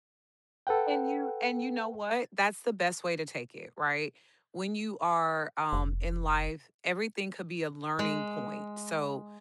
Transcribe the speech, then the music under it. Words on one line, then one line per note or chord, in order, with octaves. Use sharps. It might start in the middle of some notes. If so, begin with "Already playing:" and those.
and you and you know what? That's the best way to take it, right? When you are, um, in life, everything could be a learning point, so,
A4 B4 F#5 G5
F1
G#3